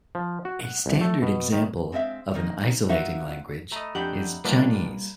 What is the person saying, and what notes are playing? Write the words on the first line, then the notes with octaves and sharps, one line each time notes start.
A standard example of an isolating language is Chinese.
F3
F#4
F#5
C2
A3
B2
D#3
G#3 C4 E4 F#4 E5 F5
D#3 A#3 D#4
D#4 F4 F#4 E5 F5
A3 D#5 A#5 B5
F2 D4 G4 F#5 B5 G6 F#7
G2 D#3 G3 A#3 D4 F4 F#4 B4